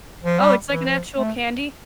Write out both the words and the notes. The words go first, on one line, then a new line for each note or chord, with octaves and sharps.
Oh, it's like an actual candy?
F3
G3
E3
F3
A3